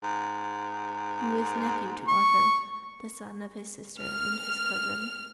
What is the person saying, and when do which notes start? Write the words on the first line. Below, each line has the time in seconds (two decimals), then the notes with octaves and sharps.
He was nephew to Arthur, the son of his sister, and his cousin.
0.03 G#2
2.08 C#6
4.00 F6